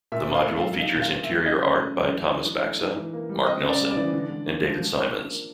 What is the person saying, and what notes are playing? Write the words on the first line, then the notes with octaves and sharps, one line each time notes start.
The module features interior art by Thomas Baxa, Mark Nelson and David Simons.
A#2 E5
A#2
F5
A3
F5
F#3
D#4 F5
A#2
F5
B3
E5
F#3
C#3 D#5
C#3
A3
F#3
E3
E3
D4
A3
D#4
E3
A#3
G3
C4 D#5
C#3
D5
G3
D5
E3
D3
D3
A#3
F3
F3
F3
D4
A#3